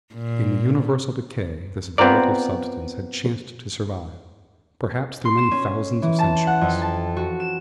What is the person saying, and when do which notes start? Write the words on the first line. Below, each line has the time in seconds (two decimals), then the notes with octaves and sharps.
In the universal decay this volatile substance had chanced to survive, perhaps through many thousands of centuries.
0.14 A#2
1.98 B3 C4 F4 A#4 D5
5.25 C6
5.37 E7
5.51 C#4
6.02 E3
6.19 A5
6.47 F#5
6.61 F2
6.82 A5
7.17 F#4
7.40 E7